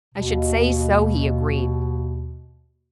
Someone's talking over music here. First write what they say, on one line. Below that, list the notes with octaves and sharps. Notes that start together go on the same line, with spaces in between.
"I should say so," he agreed.
D#2 B2